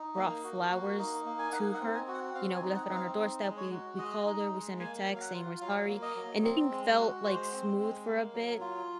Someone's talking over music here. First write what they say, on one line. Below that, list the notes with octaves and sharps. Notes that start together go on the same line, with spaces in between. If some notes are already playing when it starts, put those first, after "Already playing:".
brought flowers to her. You know, we left it on her doorstep, we we called her, we sent her texts saying we're sorry. And everything felt, like, smooth for a bit
Already playing: D#4
A#3
F#4
A#3
D#4
A#3
G#5
D#4 F#5
F#5
C4
G#5
F#4
F#5
C4 F5
G#5
D#4
F#5
C4
F5
D#4
G#3
C#5
F#4
G#3 D#5
D#4
G#3
A#3 G#5
F#3
F5
F#5
F4
F#3 F5
A#3
D#5
F#3
C4
G#3
F#4
G#3 C5
C4
G#3
A#3
F#3
F4